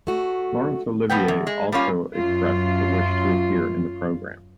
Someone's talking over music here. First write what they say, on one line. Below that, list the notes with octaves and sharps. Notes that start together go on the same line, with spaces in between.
Laurence Olivier also expressed a wish to appear in the programme.
A3 F#4
A2 F3 B3 G5
E2
G#3
G3 A#3 C#4 F4
F#2 F4